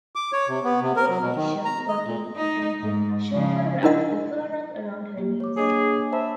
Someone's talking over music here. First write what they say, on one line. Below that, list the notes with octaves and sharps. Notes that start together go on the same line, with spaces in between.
Lady Dittisham got in and the chauffeur wrapped the fur rug around her knees.
D6
C#5
C3
B3
C3
A#4
F#3
B2
D#3
A#5
D#5
A#2
D#4
G#2
C#3 F3
D4 E4 A#4 D#5 F#5
A#3 G4
C#5 D6
A#3 D4 G#4 C#5 D#5 D6
C5 E5 A5 B5